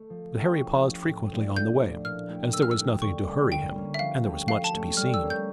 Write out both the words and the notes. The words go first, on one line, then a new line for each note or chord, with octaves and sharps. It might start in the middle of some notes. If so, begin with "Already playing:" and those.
But Harry paused frequently on the way, as there was nothing to hurry him, and there was much to be seen.
Already playing: A3
F3
C#4 E4 G4
F3
C#4 E4 G4
A2
F3 A3 D4
A2 G6
F3 A3 D4
A#2 F6
A3 E4 G4
A#2 E6
F6
E6
A3 E4 G4
D3 C#6
G3 A#3 C#4
D3 G5
G3 A#3 C#4
E5
F3 F5
A3 C#4 G4
F3 F5
A5
A3 C#4 G4
G3 F6
E6
A#3 C#4
G6